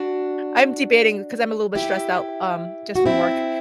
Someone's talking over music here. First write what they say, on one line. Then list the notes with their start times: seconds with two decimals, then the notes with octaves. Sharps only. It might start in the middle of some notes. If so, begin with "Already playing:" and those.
I'm debating 'cause I'm a little bit stressed out, um, just from work
Already playing: D4 F#4
1.75 E4 G4
2.96 F#4
3.06 C4 E4